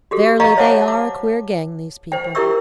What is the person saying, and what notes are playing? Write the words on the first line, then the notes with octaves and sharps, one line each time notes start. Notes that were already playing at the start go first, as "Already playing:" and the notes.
Verily, they are a queer gang, these people.
F#4 G4 A4
D#5 F5 A#5 C#6
C5 C#5 E5 F#5 A5 D6
D6
C5 G5
E4 G4 A#4 E5 C#6 E6